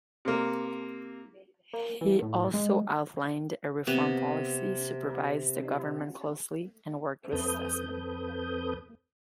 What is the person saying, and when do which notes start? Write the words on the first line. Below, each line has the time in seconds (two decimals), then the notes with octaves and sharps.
He also outlined a reform policy, supervised the government closely, and worked with statesmen.
0.25 C3 A#3
1.73 A#3
2.01 E3
2.22 A2
2.54 G#3
3.87 C3 B3
7.32 F2 C4 A4 B4 D#6 G6